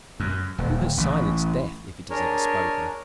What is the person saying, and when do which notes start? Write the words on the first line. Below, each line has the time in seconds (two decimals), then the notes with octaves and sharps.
Who has silenced death if it has ever spoken?
0.20 F#2
0.58 D#1
0.98 A1
2.10 D4 G#4 A#4 C#5